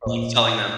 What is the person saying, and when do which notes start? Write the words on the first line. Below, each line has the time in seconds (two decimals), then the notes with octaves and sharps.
or, like, selling them?
0.06 A#2